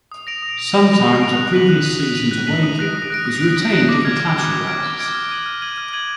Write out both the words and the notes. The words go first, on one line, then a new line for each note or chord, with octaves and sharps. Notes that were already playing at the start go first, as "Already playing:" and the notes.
Sometimes, a previous season's away kit is retained if a clash arises.
D#6
A#6 D7 F7
D#6
A#6 D7 F7
D#6
A#6 D7 F7
D#6
A#6 D7 F7
F#6
B6 D#7 F#7
F#6
B6 D#7 F#7
F#6
B6 D#7 F#7
F#6
B6 D#7 F#7
D#6
F#6 A#6 D7
D#6
F#6 A#6 D7
D#6
F#6 A#6 D7
D#6
F#6 A#6 D7
D6
F6 G#6 D7
D6
F6 G#6 D7
D6
F6 G#6 D7
D6
F6 G#6 D7
F6
G#6 D#7 F#7
F6
G#6 D#7 F#7
F6
G#6 D#7 F#7